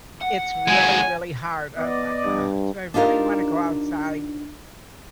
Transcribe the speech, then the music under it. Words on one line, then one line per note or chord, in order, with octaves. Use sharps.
it's really, really hard, I was like, "Ugh. Do I really wanna go outside?"
F#5
D#2 G#3 G#5
B3 D5 D#5
G2
D4 D#4 F4 G4 A#4